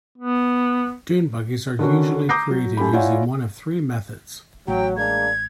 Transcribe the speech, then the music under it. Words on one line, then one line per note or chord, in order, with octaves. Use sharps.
Dune buggies are usually created using one of three methods.
B3
D3 D#3 C#4 F#4
A#5 D6 D#6 G6 A#6 C7
F#3
F#2 A3 G4 B5
E4 F4 C#5 D5 F#5 G#5
A1 F#3 G5
G#3 A#3 D4 G#6